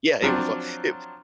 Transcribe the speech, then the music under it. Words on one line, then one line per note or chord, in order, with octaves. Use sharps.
Yeah, it was li it
F3 F#3 C4 D4